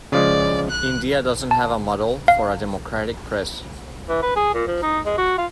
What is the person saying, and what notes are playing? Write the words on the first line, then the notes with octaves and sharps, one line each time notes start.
India doesn't have a model for a democratic press.
C#3 F3 G#3 D5
F#6
A5
F5
E3
B4
G#4
A#2
F3
D#4
G#3
F#4
F4